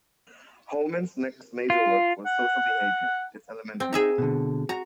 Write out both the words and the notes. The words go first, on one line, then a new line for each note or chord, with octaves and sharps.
Homans's next major work was "Social Behavior: Its Elementary Forms".
F4
F#5
C4
D#4 G#4 E5 A#5
B2 D3
F#4 A#5